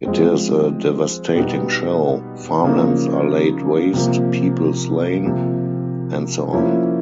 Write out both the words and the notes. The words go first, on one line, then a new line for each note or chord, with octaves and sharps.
It is a devastating show: farmlands are laid waste, people slain, and so on.
F3 G#3 C4
B2 G3 B3 D#4
C#3 F3 A#3 D#4
C3 F3 A#3
C3 F3 A#3
F3 A#3 C#4 E4